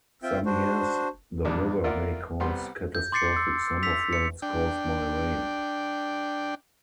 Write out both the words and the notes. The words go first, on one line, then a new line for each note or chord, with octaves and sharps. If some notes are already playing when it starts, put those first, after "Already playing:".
Some years the river may cause catastrophic summer floods caused by rain.
C4 F4 E5 G5
D4 F#4 C5
A#1 E2 G3 D4
A#3 E4 F4 A#4 D5 F#5
C2 G3 B3 C6
G6
C6 D6 A6 C7 C#7
E6
E6 B6 F7
C#7
D4 G5